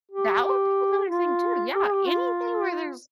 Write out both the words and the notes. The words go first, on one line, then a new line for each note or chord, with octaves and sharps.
That would be another thing too, yeah, anything where there's
G4
G4
F4
G4
G#4
G4
F4